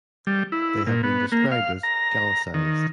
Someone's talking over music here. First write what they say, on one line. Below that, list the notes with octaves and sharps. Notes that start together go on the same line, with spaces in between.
They have been described as "Gallicised".
G3
E4
A#2
B3
A#3
F5
A#5
D#3